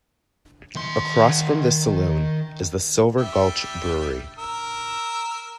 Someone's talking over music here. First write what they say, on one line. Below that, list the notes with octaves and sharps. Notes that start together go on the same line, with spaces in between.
Across from this saloon is the Silver Gulch Brewery.
D#3 C6
G3 G4 E5
A#4 E6